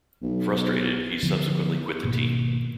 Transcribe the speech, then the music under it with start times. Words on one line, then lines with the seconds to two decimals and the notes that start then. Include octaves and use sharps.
Frustrated, he subsequently quit the team.
0.22 B1
1.23 D3 F3 G#3 B3
2.03 G#1 B2 A#3